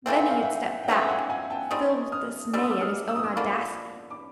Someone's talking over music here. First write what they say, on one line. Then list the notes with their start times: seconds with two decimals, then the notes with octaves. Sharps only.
Then he had stepped back, filled with dismay at his own audacity.
0.06 C#3 E3 A3 C4 G5
0.18 F#5
0.30 F5
0.42 E5 F#5
0.83 G5
0.88 C#3 E3 A3 C4 E5 F#5
1.04 G5
1.09 F#5 G#5
1.30 F#5 G#5
1.50 G5 A5
1.70 G3 C4 D#4 C#6 D#6
2.12 D#6 F6
2.53 G3 C4 D#4 E6
2.62 D#6
2.71 D6 E6
2.81 D#6 F6
3.08 E6
3.16 D#6
3.23 D6 E6
3.36 D3 F3 A#3 B5 C#6
4.11 D6